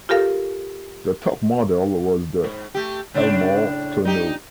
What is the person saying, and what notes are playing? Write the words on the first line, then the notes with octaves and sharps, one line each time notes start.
The top model was the "Elmore Tonneau".
F4 G4 A4 A#4 F5
G#2
A3 G4
A2 C#3 D4
D#4 G4